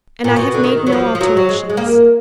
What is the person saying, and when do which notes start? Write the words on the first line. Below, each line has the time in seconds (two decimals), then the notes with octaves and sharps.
And I have made no alterations.
0.24 A#2
0.36 B2
0.54 D3
0.64 D#3
0.87 F#3
0.92 F3
1.15 F3
1.21 F#3
1.37 F#3
1.49 G#3
1.70 G#3
1.77 A#3